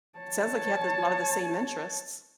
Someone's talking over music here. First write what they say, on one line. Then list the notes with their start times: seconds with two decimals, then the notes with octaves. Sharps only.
sounds like you have the a lotta the same interests.
0.19 C#5 A5